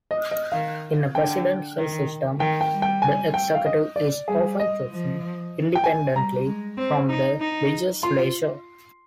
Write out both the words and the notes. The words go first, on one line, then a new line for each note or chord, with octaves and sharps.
In a presidential system, the executive is often chosen independently from the legislature.
D#5
D#5
D#3 F5
D3 G5
D#3
D#3 G5
G5
G3
G5
G#5
G5
F5
D#5
D5
G3 G#4
D#5
F3
G5
G#5
G3 A#5
G#3
C4
D#4
D#4
F4 C6